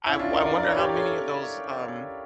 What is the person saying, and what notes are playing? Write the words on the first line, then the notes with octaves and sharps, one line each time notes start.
I'm I wonder how many of those, um
C#4 E4
D4 F4
A#4 D5
A#4 D5
A#4 D5
C#5
G4 A#4
A4 C#5